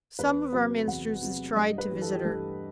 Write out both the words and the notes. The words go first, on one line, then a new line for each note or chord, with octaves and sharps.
Some of our ministers has tried to visit her.
E2 B4
C3 F#3 B4
E2 F#5
C3 F#3
G2 D#5
B4
E3 G3
A4
G4
G2 A4